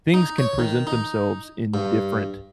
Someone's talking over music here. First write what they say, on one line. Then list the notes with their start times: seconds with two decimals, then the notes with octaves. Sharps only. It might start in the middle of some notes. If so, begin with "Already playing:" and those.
things can present themselves in different
0.14 D#4
0.38 C#5
0.59 D#3
0.87 D#4
1.74 G2